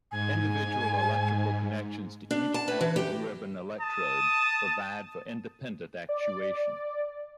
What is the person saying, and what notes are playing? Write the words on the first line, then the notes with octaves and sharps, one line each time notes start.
Individual electrical connections to each active ribbon electrode provide for independent actuation.
G#2 G#5
D4
A5
B4
E3
G4
A5 D#6
D5